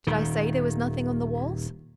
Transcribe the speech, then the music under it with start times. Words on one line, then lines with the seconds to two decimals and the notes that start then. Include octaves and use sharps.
Did I say there was nothing on the walls?
0.07 D#1 D#3